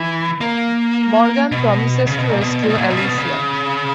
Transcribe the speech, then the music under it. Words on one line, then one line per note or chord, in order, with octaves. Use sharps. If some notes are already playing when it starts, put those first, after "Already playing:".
Morgan promises to rescue Alicia.
Already playing: E3
A#3
B2
C#3
B2
A#2
B2
A#2
B2
A#2
B2
C#3
B2
C#3